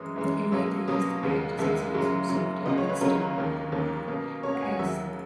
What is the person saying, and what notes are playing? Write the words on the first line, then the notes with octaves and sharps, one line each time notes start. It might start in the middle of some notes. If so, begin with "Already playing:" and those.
In later years the practice was also observed at Windsor and Balmoral Castle.
Already playing: F#2 E3 G#3 C#4 D#6
F#2 E3 G#3 C#4
B2 F#3 A#3 C#4 E6
B2 F#3 A#3 C#4 D#6
D#2 C#3 G#3 B3
D#2 C#3 G#3 B3 E5
F#2 C#3 F#3
F#2 C#3 F#3
C#2 C#3 F#3 B3 D#5
C#5
B4
C#2 C#3 F#3 B3 A#4
D#2 D#3 A#3 C#4
D#2 D#3 A#3 C#4
B2 A#3 C#4
B2 A#3 C#4 C#5
F#5
G#5
F#5
D#2 C#3 F#3 E5